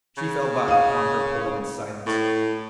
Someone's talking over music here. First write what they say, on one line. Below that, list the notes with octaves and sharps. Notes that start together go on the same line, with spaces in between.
She fell back upon her pillow in silence.
C#3
F5 D#6
A2